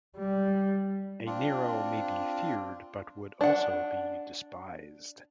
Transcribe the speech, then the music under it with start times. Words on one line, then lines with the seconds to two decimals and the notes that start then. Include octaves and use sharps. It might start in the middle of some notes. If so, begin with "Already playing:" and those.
A Nero may be feared, but would also be despised.
0.18 G3
1.27 C4 D4 F4
3.41 D4 F#5